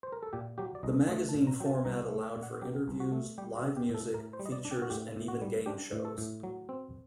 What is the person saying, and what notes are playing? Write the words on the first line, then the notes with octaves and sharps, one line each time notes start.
The magazine format allowed for interviews, live music, features and even game shows.
C5
A#4
A4
A#2 G4
F#3 G4
D5
C2 D#5
A3 D#5
A5
A#2
A#5
F#3 G5
A5
C2 A#5
A3
G5
A#2
F#5
F#3 G4
C2
F#4
A3
G3 G4
F#4
D4
G4
A2
A4
A2 A#4
C5
G3
D#5
D5
D4
G4
F#4
A2 G4
A2
F#4
G3
D4 G4
A2
A4
A2
F#3
C4